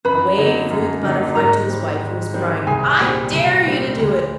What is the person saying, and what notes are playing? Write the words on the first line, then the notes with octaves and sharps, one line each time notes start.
Away flew the Butterfly to his wife, who was crying, 'I dare you to do it!
F#2 B4 B5
D3 F#3 A#3 D#4
F#2
D3 F#3 A#3 D#4
G#2 A#4 A#5
D#3 G3 C4
G#2
D#3 G3 C4
C2 G#4 G#5
A#2 G3 C4
C2
A#2 G3 C4
D2